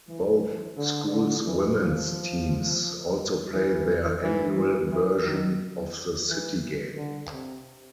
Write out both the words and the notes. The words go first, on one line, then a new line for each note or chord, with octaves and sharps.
Both schools' women's teams also play their annual version of the City Game.
E3
D3
D3
E3
F3
E3
E3
E3
E3
D#3
E3
D3
C3